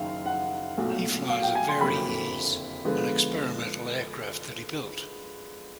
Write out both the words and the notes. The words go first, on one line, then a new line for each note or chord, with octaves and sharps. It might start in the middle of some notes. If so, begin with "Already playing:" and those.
He flies a Varieze, an experimental aircraft that he built.
Already playing: F#1 F#2 D#3 F5
F#5
B1 A#2 F#3 A3
F5
G5
G#5
C6
F#1 F2 D3 F#3 A#3 B5
D3 F3 G#3 B3